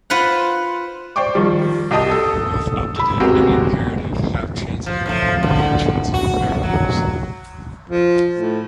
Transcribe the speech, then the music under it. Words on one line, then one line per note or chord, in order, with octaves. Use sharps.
Both optative and imperative have transitive and intransitive paradigms.
F4 B4 C5 F#5
C5 D5 G5 C#6 D6
D#3 F3 G3
C2 G4 D#5 A5 D#6
A4
B5 E6
G#3 B3 C4 F#4 G4 A#4
F3
A2 D#3 F3
D3
F#4
A2
F#3
F3
A2